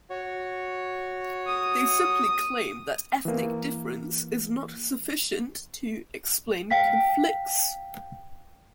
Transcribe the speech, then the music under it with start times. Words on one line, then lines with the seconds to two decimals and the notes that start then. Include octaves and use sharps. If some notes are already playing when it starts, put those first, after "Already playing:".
They simply claim that ethnic difference is not sufficient to explain conflicts.
0.10 F#4 C#5
1.46 D#6
3.25 E3 A#3
6.70 F5 G5 B6